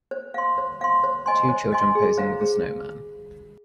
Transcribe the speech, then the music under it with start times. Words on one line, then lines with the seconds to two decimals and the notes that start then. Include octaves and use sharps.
Two children posing with a snowman.
0.11 C5
0.34 F5 C6
0.58 C5
0.81 F5 C6
1.04 C5
1.26 D#5 G#5 C6
1.49 C5
1.72 D#5 G#5 C6
1.95 G#4
2.18 C5 F5 A#5
2.41 G#4